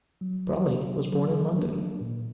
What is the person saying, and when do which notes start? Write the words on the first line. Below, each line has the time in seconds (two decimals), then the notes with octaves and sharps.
Brolly was born in London.
0.21 F#3
0.66 A#3 D4
1.11 F#3
1.57 A#3 D4
2.01 A#2